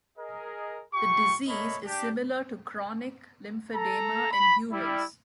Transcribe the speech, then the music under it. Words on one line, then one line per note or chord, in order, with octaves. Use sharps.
The disease is similar to chronic lymphedema in humans.
G#4 A#4 D#5
F4 G4 C6 C#6
G3 A3 A#3 C#5 D#5 B5
D4 G4
A4 A#5
B5
G3 E4